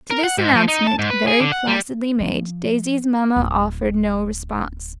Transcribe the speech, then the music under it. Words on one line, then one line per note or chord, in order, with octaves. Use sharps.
To this announcement, very placidly made, Daisy's mamma offered no response.
A#4
F#5
G#2
F3
D#4
A5
G#2
B4
G#4
D3
F#5
G3
F3
D1